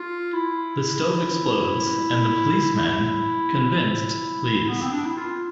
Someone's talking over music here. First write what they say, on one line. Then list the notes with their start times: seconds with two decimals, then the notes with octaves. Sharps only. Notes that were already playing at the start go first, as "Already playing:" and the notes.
The stove explodes, and "the policeman", convinced, leaves.
Already playing: F4
0.33 E4
2.75 E4
4.68 B3
4.81 C4
4.92 D4
5.05 E4
5.17 F4